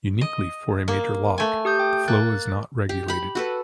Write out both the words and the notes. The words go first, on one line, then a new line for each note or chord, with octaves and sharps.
Uniquely for a major loch, the flow is not regulated.
D#5
A#3
A3 G#5
G4 D#6 G6
G5
A#3 F#6 A6
G4
G4 B5
F#4 A4 B4